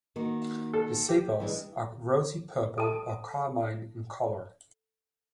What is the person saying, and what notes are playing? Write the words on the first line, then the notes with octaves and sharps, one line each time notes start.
The sepals are rosy purple or carmine in color.
D#3 A#3 F#4
A4
G4
E3 G#3 D4
A4 A5